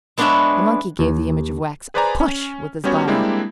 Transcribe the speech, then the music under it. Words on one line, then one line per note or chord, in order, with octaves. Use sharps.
The monkey gave the image of wax a push with his body.
G#3 B3 D4 B4 C#5 E5
D#2
G#4 B4 C5 D5 G#5 A#5
C#4
G3 B3 C#4 F#4 C#5
G3 G#3 A#3 C4 D4 E4